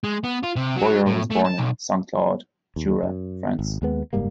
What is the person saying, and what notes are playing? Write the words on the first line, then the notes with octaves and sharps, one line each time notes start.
Boyer was born in Saint-Claude, Jura, France.
G#3
B3
F4
C3
F#3
A2
A3
A5
B1
D#2
F#2
G#1
D#2 G#3 B3
F#1 G#2 G3 A#3